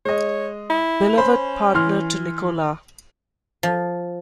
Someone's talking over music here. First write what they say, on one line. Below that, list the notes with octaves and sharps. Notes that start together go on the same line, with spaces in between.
Beloved partner to Nicola.
G#3 C#5 D#5
E4
C#4 C5 B5
E3 C6 F6
F3